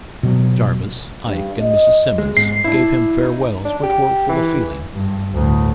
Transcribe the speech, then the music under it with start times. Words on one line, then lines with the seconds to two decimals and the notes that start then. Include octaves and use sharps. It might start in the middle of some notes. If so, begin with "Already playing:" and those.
Jarvis, Ike, and Mrs. Simmons gave him farewells which were full of feeling.
0.23 B2 F#3
1.26 G2
1.60 D#5
2.18 G#3
2.37 G#2 C7
2.64 D4 E4
3.21 D#4
3.65 D4
3.83 G4
4.29 E3
4.94 G2
5.34 D2 A2